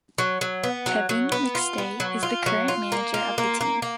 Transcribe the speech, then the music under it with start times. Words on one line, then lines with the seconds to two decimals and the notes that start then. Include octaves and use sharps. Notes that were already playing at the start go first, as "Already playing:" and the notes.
Kevin McStay is the current manager of the team.
0.18 F#3
0.41 F#3
0.64 B3
0.86 F#3
1.09 F#3
1.32 B3
1.55 F4
1.78 B3
2.00 F#3
2.23 F4
2.46 F#3
2.68 F4
2.92 A#3
3.14 F4
3.38 A#3
3.61 A#3
3.82 A#3